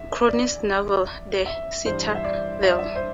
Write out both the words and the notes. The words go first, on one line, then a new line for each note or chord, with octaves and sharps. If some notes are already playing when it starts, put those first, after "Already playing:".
Cronin's novel, "The Citadel".
Already playing: E2 E5
D5
E5
G1 G2 E3 G3 C5
E5
D5
E5
D5
E5
C5